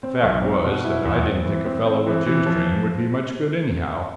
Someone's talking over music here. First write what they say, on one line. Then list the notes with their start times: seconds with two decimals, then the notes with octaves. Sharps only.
The fact was that I didn't think a fellow with Jim's training would be much good, anyhow.
0.03 C4
0.23 B1
0.44 C4
0.64 B2
0.84 E4
1.05 E2
1.25 C4
1.45 E3
1.66 C4
1.86 C4
2.07 E3
2.26 E3
2.46 F3